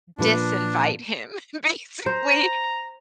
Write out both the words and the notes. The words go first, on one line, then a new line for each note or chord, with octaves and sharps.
disinvite him, basically."
A#2 F3 D4 B4
C5 A#5